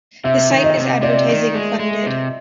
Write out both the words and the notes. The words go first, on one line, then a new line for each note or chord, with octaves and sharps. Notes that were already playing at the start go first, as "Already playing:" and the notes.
The site is advertising funded.
C3 E5
D#3
D#5
C3
C3 D5
D#3
G#3
G#3
C3